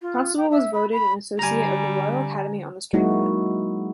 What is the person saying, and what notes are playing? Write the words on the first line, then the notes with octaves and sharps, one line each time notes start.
Constable was voted an Associate of the Royal Academy on the strength of it.
F4
G5
E5
B5
B5
D3 G3 G#5 A#5
F#3 G#3 A#3 D#4 E4 F#4